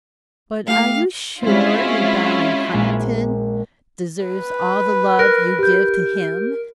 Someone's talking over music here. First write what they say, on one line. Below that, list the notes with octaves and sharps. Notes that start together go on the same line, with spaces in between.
But are you sure your darling Huntingdon deserves all the love you give to him?'
A3 E4 G4 F5
G#3 C4 C#4 E4 F4
F#4 G#4 D#5
A#1 A#2 G#3
B4
A#4 F6 F#6 A#6
G4 G6